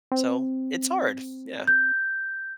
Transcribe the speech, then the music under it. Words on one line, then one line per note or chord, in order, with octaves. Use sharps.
So, it's hard! Yeah.
C4
G6